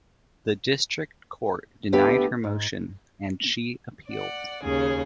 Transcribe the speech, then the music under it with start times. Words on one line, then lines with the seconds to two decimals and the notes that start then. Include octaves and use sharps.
The district court denied her motion, and she appealed.
1.93 D2 A3 B3 G4 B4 G5
2.44 G#2
4.09 D5 F#5
4.64 D#2 C#3 G#4